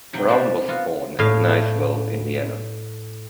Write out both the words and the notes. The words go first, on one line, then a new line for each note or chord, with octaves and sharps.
Brown was born in Nyesville, Indiana.
C3 F#3 G5 B5
F#4 G4 C5 D5 E5
B3 F4 F#4
A2 F5